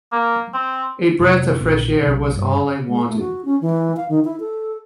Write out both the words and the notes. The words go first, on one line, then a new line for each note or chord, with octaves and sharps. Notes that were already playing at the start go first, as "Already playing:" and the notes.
A breath of fresh air was all I wanted.
A#3
C4
F2 C3
A#1 A#2 C#3
B1 C3
G2
G#3
A3
F#4
C#4
E3
F5
D#3
E4
A4